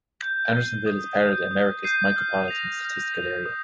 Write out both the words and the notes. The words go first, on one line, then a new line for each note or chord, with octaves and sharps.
Andersonville is part of the Americus Micropolitan Statistical Area.
G6
C7 D#7 G7
D#6
G6 C7 D#7
D#6
G6 C7 D#7
F6
A#6 F7
F6
A#6 F7
D#6